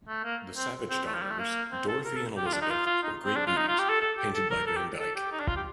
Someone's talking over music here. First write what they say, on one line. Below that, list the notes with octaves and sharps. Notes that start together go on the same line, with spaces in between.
The Savage daughters, Dorothy and Elizabeth, were great beauties, painted by Van Dyck.
A3
A#3
C4
C4
A3
F3
G3
A3
A#3
C4
A4
A#4
A4
G4
F4
D4
D#4
F4
F4
D#4
C4
D4
F4
D#4
F4
G4
A4
A4
G4
A4
A#4
A4
G4
A4
G4
D#4
D4
F4
G4